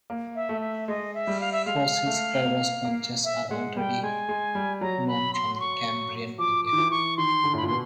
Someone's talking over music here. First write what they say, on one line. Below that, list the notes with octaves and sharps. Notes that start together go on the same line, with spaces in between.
Fossil sclerosponges are already known from the Cambrian period.
A#3
E5
A3
E5
G#3 D#5
E5
G3
F5
E5
G#3 F5
A3
A#3
A#3
E5
G#3 F#5
G3 G5
G#3 G#5
G#3
G3
F#3 A#5
B5
C6
C6
C#6
F3 D6
D6
D#3
E3
C#6
D#3 C6
D3
A2
A#2 B5
B2 C6